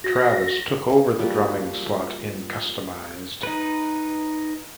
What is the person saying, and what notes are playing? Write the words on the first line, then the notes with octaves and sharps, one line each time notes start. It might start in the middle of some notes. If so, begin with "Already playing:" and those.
Travis took over the drumming slot in Kustomized.
F#4 A#6
F3 G3 A#3 F#4
D#4 B4